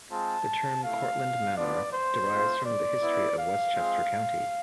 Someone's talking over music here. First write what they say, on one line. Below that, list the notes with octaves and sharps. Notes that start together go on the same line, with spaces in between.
The term "Cortlandt Manor" derives from the history of Westchester County.
G#3 C4 F4 A5
A3 E4 F5
B3 D4 F4 D5
C5
A3 C4 F4
D5
B3 E4
F5
G#3 C4 F4